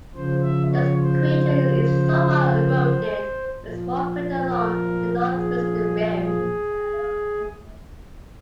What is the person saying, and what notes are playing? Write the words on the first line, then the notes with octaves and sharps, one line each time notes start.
This crater is somewhat eroded, with a small crater along the northwestern rim.
C#3 F3 C5
E5
C#5
C5
A#2 F3
A#4
G#4
G#4